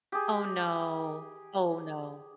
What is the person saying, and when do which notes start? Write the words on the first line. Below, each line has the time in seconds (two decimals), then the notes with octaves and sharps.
Oh, no. Oh, no.
0.12 G4 G#4